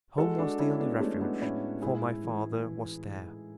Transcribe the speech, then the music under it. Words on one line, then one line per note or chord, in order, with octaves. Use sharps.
Home was the only refuge, for my father was there.
G#3 F#4 A4
D4 F#4
G#3 C#4 E4
B3 D4
G#3 A3 C#4
B3 D4
A2 C#4 E4
G#2 E4 G#4
E3
E3
E3